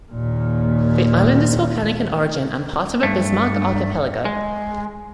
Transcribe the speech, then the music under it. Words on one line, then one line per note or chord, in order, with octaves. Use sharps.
The island is volcanic in origin and part of the Bismarck Archipelago.
D#2 A#2
G2 A3
G#3